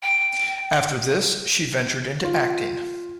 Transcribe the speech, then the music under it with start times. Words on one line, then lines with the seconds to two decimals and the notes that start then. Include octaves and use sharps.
After this she ventured into acting.
0.02 G5
2.25 F4